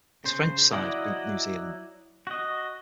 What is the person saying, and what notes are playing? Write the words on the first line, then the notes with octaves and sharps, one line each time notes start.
His French side beat New Zealand.
C#3 C5
F#3 E4 D5 D#5 F#5
F#4 D#5